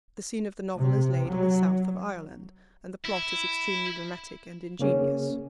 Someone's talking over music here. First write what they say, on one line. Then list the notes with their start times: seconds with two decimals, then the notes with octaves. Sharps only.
The scene of the novel is laid in the south of Ireland, and the plot is extremely dramatic and ingenious.
0.77 C3
1.28 F#3
3.05 E4
4.79 C#3 A#3 C#4 G#4